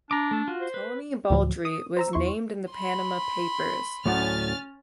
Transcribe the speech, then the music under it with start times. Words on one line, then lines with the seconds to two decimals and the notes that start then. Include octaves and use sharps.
Tony Baldry was named in the Panama Papers.
0.11 D4 A#5 D6
0.31 A3 A4
0.48 F4 F#4
0.60 C5
0.74 B4
1.30 D2 A2 F3 F#3
1.65 D#6
1.97 C5 A#5 E6
2.13 E2 E4 C6 C#6
2.71 B5 C6
4.06 D2 A2 F#3 C#4 F6 A6